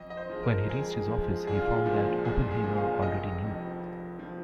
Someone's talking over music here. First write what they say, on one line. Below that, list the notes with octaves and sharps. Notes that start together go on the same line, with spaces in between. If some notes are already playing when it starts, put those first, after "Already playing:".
When he reached his office, he found that Oppenheimer already knew.
Already playing: F2 D#5
D#5
C5
F3 G#3
A#4
F2 G#4
F3 G#3
C2 G#4
F4
F4
A#2 F3 G#3
C2 G#4
G#4
A#2 F3 G#3
F5
F1 D#5
F2 F3
F1
F3